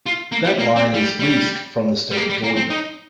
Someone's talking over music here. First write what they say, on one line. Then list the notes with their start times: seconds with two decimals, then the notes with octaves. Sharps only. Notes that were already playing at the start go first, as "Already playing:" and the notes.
That line is leased from the state of Georgia.
0.06 F4
0.32 A#3
0.45 G3
0.59 A#3
0.76 C4
0.94 G3
1.19 G3
2.11 G3
2.17 A#3
2.30 G3
2.44 A#3
2.56 C4
2.70 D#4